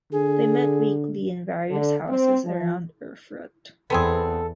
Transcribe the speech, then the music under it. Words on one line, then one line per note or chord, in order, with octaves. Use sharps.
They met weekly in various houses around Erfurt.
D3 G#4
D3
C4
F3
E2 B3 C4 G#4 A4